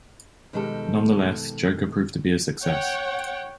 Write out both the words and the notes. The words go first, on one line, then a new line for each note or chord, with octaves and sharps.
Nonetheless, "Joker" proved to be a success.
B2 D#3 F3 G#3 G4 A4
C#5 F#5 G5